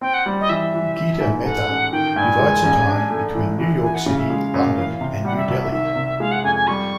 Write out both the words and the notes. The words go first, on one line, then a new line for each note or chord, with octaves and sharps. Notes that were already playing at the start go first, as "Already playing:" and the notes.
Gita Mehta divides her time between New York City, London and New Delhi.
C4 G5
F#5
G3
D#5
E3 E5
E3
E3
G#2
A3 F#5
A1
D#3 G5
G2 G#5
G#3
A1
D4
A3
E3
E3
E3 G#5
F#5
C#3 F5
E5
G#3 F5
F#2
E3
C3
G3 F#5
E5
C2 E5
E5
D#3 E5
C3
G#3 F5
F#5
F2 G#5
G#5
G3 C#6